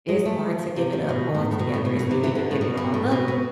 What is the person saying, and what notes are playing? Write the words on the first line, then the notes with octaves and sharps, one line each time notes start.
it's hard to give it up altogether. It's either you give it all up,
G#3
A3
F3
C3
C3
B2
A2
A2
B2
A2
B2
B2
C3
E3
D3
A2
B2
B2
A2
B2
B2